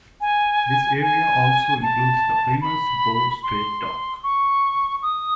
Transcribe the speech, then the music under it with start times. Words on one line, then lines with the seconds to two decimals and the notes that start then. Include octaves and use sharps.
This area also includes the famous Bow Street Dock.
0.21 G#5
1.02 G#5
1.82 A5
2.61 B5
3.43 C6
4.23 C#6
5.03 D#6